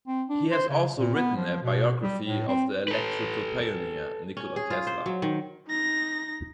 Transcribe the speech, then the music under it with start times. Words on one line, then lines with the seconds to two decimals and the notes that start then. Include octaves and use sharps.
He has also written a biography of the electrical pioneer, Nikola Tesla.
0.07 C4
0.29 D4
0.51 C5
0.69 C#3
0.98 A#2
1.15 B3
1.36 F3
1.62 B2
2.02 G3
2.25 A2
2.48 C4
2.88 A4 B4
4.37 C#4
4.56 G#4
4.70 F4
4.87 C5
5.06 F#3
5.22 D#3
5.68 D#4 A#6